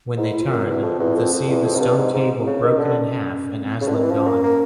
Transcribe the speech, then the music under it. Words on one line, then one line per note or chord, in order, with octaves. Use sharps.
When they turn, the see the Stone Table broken in half and Aslan gone.
G#2 E4
E4
F4
F#2 C4
E2 C4
F2
E2
F2
F2
E2
F2
G#2
G2
G#2
G#2
C#3
D#3 C#4
D3
C4
C#3 C#4
D3
D#3 C4
E3
F3 C#4
A#3
A#3